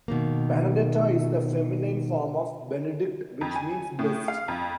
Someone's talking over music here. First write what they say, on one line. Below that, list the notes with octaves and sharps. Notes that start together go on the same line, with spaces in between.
Benedetta is the feminine form of "Benedict" which means blessed.
B2 D#3 A#3
F2
G#5
A2
F5
F2